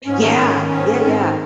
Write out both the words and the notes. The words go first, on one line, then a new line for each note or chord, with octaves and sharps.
Yeah! Yeah, yeah.
G#2 C#4
D#3
G#2
D#3
G#2
D#3
G#2 C4
D#3